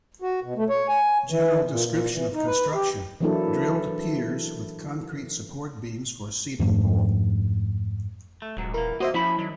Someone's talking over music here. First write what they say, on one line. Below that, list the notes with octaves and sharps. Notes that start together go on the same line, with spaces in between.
General description of construction: Drilled piers with concrete support beams for seating bowl.
F#4
B2
A3
C#5
G#5
E3
A#2
A#2
E3
D#4
B4
G4
E3 F#3 A#3 D4 E4 A4
F2 G#2 F3 A3
A3
D#1 G#2 F#3
E3 A#3 A#4
C2 A#3 F#4 C5 D#5 E5
F3 C#4 E4 E5 B5
D#3 F#3